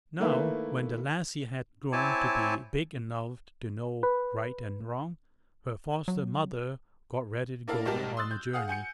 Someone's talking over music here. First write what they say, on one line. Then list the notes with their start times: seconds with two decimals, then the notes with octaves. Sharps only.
Now, when the lassie had grown to be big enough to know right and wrong, her foster-mother got ready to go on a journey.
0.20 D#3 A3 A#3 E4 B4
1.93 C4 E4 C#5 G#5 A5 D6
4.03 B4
6.08 F#3
7.68 A#3 D4 E4 A4 A#4 F5
7.86 B1 G#2 G3 G4 A#4 A5
8.17 C6 D#6 E6 F#6 A6
8.31 G6
8.53 G#4 F5 F#5 D#6
8.68 F#5 G#5 G6 C#7